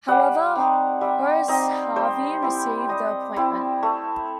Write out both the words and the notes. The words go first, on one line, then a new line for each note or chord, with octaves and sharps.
However, Horace Harvey received the appointment.
G3 F#5
C4 D#4
G3 E5
C4 D#4 D#5
G3 C5
C4 E4
G3 D#5
C4 E4
A3